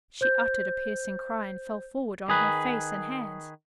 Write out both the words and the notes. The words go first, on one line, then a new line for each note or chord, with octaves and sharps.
She uttered a piercing cry, and fell forward on her face and hands.
C5 G6
D#3 G#4 B4